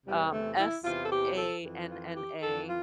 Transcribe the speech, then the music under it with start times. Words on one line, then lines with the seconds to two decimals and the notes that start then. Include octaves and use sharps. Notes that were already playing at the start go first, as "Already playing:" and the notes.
um, S-A-N-N-A
0.05 E2 C3 E3 G3
0.31 A3
0.58 E4
0.84 E2 C3 E3 F4
1.03 A4
1.10 G4
1.37 A4
1.63 F2 E3
1.89 F4
2.15 G4
2.41 F2 E3 A4
2.68 F4